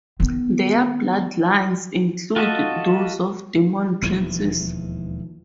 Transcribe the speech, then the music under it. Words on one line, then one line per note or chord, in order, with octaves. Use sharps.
Their bloodlines include those of demon princes.
D#3 B3
F4 F#4 A4 D#5 E5
E1 D#2 E3 F3